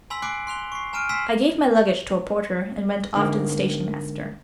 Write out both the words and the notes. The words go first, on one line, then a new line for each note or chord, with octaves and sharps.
I gave my luggage to a porter and went off to the station-master.
G#5 B5 C6 E6 B6 F#7
G#5 B5 D6 F#6 C7 D7
C6 F#6 F7 G7
C#6 C7
G#5 A#5 F6 D7 D#7
G#5 C6 E6 B6 C7 E7
G#2 D3 A#3